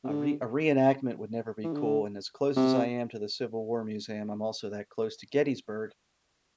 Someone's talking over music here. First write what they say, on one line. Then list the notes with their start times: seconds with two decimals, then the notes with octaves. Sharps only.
A re a reenactment would never be cool, and as close as I am to the Civil War Museum, I'm also that close to Gettysburg
0.04 C3
0.08 D3
1.63 E3
1.73 D3
2.56 C3